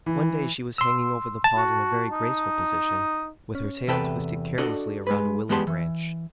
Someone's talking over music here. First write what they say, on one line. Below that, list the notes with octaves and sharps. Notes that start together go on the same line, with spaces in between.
One day she was hanging over the pond in a very graceful position, with her tail twisted carelessly around a willow branch.
E3
C6 E6
A5
F#4
D#4
C#4
E2 C3 A4 B4 G5
D4 F#4 A4 D5 D#5
G#3 B4
E2 G#3 B3 G4 A5 C6
E3